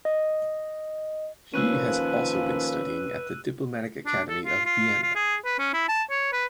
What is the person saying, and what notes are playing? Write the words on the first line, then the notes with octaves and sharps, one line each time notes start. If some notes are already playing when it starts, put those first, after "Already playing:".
She has been also studying at the Diplomatic Academy of Vienna.
D#5
D#3 F3 A#3 C#4 B4 E6 F#6 D#7
D4
A4
F4
F4
F4
G#4
B4
C#4
E4
A5
C#5
B4